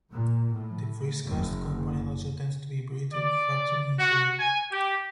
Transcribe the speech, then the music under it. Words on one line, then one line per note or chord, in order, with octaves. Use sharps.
The freeze-cast component also tends to be brittle, fracturing easily.
A#2
A2
F#1
D5
F#4
G#5
G4